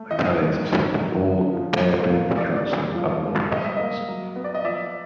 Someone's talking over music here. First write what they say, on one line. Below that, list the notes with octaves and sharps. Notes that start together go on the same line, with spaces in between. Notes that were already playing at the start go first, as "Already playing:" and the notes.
Italians have served in all Darebin Councils other than the first.
Already playing: A3
E3 D#5
G3
D#3
F#3
D3
F3
F3
A#3
E3 D5
D5
G3
F3
G#3
G3 D#5
E5
A#3 D#5
F#3
B3
D5
D#5
F3 D5 E5